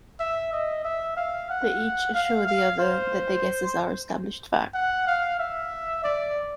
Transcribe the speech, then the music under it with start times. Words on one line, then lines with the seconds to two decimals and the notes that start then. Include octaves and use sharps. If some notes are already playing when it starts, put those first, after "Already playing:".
They each assure the other that their guesses are established fact.
0.20 E5
0.52 D#5
0.85 E5
1.17 F5
1.50 F#5
2.14 F5
2.47 F5
2.80 C5
4.74 F#5
5.07 F5
5.39 E5
6.04 D5